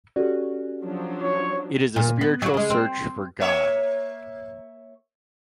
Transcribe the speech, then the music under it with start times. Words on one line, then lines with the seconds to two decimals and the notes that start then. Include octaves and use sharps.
It is a spiritual search for god.
0.16 C#4 F#4 G4 A4 D5
0.82 F3 F#3 D4
1.20 C#5
1.96 A#2
2.21 B3
2.42 F#3 F#4
2.54 C#3 G#3
2.70 C4
3.41 A#3 C#5 E5